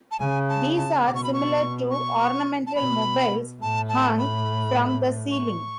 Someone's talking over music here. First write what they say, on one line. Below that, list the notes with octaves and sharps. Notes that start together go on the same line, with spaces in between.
These are similar to ornamental mobiles hung from the ceiling.
A5
C#3 G#5
A5
A5
B2 D6
C#6
B5
C#6
C#6
A5
B2 B5
A2 A5
A5
B5
C#6